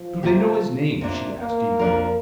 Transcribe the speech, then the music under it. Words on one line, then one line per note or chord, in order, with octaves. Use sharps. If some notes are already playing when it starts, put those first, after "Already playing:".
"Do they know his name?" she asked eagerly.
Already playing: F3
C3 A#3 G4
C3 A#3 D4 F4
A#3
F2 F3 D4 F4 A#4